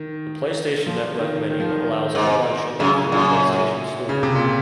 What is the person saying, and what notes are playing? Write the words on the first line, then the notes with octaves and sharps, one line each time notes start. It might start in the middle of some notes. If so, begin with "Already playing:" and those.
The PlayStation Network menu allows online shopping through the PlayStation Store.
Already playing: D#3
F3
D#3
D#3
F3
D#3
G#2
F#2 C#3
F#2 A#2
C#3
C3
A#2